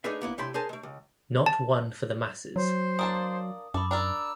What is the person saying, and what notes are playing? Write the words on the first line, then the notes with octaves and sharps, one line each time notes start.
Not one for the masses.
A3 D4 D#4 G#4 B4 E5
A#3 B3 E4
C3 A3 E4 C5 B5 C6
G#4 A#4 C5 G#5 A5
G#3 A3
C#2
A5
F#3 C5
A#3 D4 A5 D#6
F#2 A4 B5 D6
D4 A#4 D5 A#5 E6